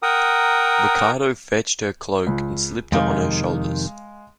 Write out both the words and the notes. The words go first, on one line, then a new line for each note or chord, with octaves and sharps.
Ricardo fetched her cloak and slipped it on her shoulders.
A#4 F#5 G5 A#5 D#6
C#2
F2 C3 D#3 G#3 F5